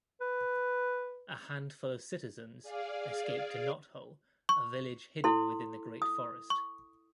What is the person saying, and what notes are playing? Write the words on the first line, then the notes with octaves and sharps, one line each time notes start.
A handful of citizens escape to Knothole, a village hidden within the Great Forest.
B4
G#4 D5 F5
C#6
E4 A4 C6
D#6
C#6